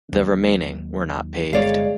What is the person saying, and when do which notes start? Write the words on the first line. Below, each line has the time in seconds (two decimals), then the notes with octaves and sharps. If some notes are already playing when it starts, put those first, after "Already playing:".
The remaining were not paved.
0.12 D#2 F#3 G#3
1.53 G1 G#3 C#5 D5 F5